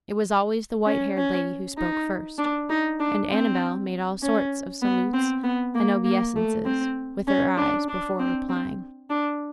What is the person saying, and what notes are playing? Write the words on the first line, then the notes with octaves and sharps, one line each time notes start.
It was always the white-haired lady who spoke first, and Annabel made all sorts of salutes and obeisances with her eyes before replying.
C#4
C#4
D#4
D4
D#4
D4
C4
C#4
B3
C4
B3
A#3
A#3
A3
C4
C#4
D4
D4
C4
C4
D4